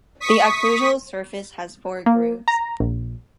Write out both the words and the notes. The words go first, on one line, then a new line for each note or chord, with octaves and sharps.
The occlusal surface has four grooves.
C#6 D#6 B6
A#3
A#5
A#1